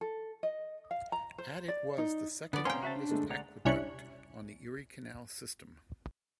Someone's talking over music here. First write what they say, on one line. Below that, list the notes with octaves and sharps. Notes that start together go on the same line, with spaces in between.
At it was the second-longest aqueduct on the Erie Canal system.
A4
D#5
F5
A#5
C5
D5
D#4
D3 B3 D5
C#4 C5 F5 G5 A#5 C6
F#4 E5 A5
D4
D3 G#3 A3
D5 F#5 A#5
C2 C#4 D4 E4 C#6 F#6